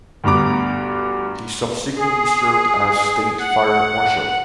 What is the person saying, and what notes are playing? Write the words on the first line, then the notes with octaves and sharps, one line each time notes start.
He subsequently served as state fire marshal.
D2 G2 B3 A#5 D6
G#4
F#5